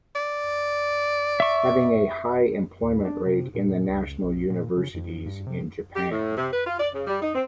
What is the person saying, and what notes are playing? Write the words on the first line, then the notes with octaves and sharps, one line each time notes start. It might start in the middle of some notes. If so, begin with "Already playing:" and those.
Having a high employment rate in the national universities in Japan.
D5
E5 C#6
D#2
D4
C3
A#2
C#2
B1
A#2
C#3
F2
G2
C3
G4
A2
C3
B4
F4
D5
C#3
G3
D#4
C4